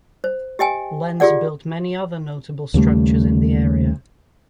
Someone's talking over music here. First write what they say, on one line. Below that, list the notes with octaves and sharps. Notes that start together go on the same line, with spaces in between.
Lenz built many other notable structures in the area.
C5
G4 D#5 G5 G#5
F4 G4 G#4 D5 F#5
D#2 C#3 G3 A3